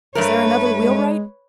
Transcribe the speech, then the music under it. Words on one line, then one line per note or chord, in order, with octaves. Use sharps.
"Is there another wheelwright?"
G2 A3 A#4 B4 C#5
G#3